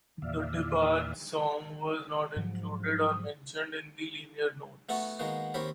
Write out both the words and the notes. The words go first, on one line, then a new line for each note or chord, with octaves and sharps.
The DeBarge song was not included or mentioned in the liner notes.
E2 A#2 D5 E5 F5
G#2 F3 F#3
A3 B3 F#4 A4
D#3 G#3 A#3 B3 F#4
D#2 C4 G4 A#4 C#5 B5